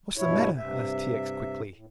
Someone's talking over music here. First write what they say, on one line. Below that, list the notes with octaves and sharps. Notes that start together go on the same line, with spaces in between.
"What's the matter?" asked T. X. quickly.
G2 B2 E4 C#5
G2 C3 E5
A2